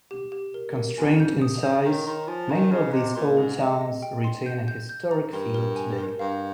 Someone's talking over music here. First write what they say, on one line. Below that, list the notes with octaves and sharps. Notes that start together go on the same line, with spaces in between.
Constrained in size, many of these old towns retain a historic feel today.
G4
G4
A#4
A#4
F2 G#5
G6
D#6
G6
D#3 C#5
D#3 C6
F3 G#5
D#3 G#5
C#3 D#5
C3 D#5
A#2 C6
G#2 G#4
D#5
D#5
G5
C6
G6
G6
G6
A#5
G2 A#4
A#4
G#5
A#4
G2 F5